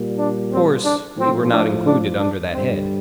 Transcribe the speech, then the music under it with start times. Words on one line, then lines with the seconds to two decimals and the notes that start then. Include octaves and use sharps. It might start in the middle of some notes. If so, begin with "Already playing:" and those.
Of course, we were not included under that head.
Already playing: A#2 G3
0.18 D4
0.51 C4
0.84 D4
1.18 A2 F3 C4
1.51 D4
1.85 D4
2.18 D4
2.52 G2 D3 G3 C4